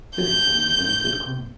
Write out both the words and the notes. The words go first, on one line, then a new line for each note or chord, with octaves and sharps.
This is a newly minted coin.
G6